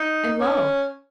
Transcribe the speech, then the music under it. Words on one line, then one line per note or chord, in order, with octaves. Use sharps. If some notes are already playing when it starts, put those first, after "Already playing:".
And lo!
Already playing: D#4
C#4